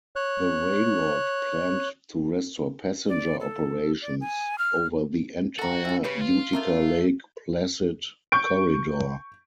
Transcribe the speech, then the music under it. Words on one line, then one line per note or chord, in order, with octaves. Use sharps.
The railroad planned to restore passenger operations over the entire Utica-Lake Placid corridor.
C#5 F#6
D5
A4
D5
G#5
F6
F#4 A4 A#5
E4 A4
C#3 G4 B4 C#5
F4
D#3 A3 A#3
C#6 G6 D7